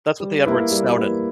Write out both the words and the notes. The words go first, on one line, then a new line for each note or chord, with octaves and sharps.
that's what Edward Snowden.
G3
A#3 E4 B4
G3
A#3 E4 B4